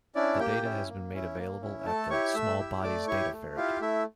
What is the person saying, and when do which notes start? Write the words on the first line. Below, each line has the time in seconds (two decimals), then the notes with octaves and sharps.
The data has been made available at the "Small Bodies Data Ferret".
0.15 C#4 D4 E4 D5
0.39 A#3 G4 G5
0.64 C#4 E4
0.89 A#3
1.13 C#4 E4
1.38 A#3
1.62 C#4 E4
1.86 A3 A4 A5
2.10 E4 G4 C#5 C#6
2.35 A3 E5 E6
2.59 E4 G4
2.83 A3 D5 D6
3.08 E4 G4 C#5 C#6
3.33 A3
3.56 E4 F4 G4 F5
3.81 A3 E4 E5